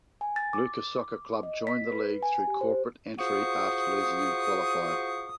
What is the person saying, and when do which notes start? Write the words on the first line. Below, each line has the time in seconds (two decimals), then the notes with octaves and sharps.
Luca Soccer Club joined the league through corporate entry after losing in the qualifier.
0.21 G#5
0.36 A6
0.53 D6
1.43 D#5
1.67 B6
1.91 B4
2.23 G#5
2.47 G4
2.61 C5
3.19 F4 F#4 G#4 C5 C#6 D#6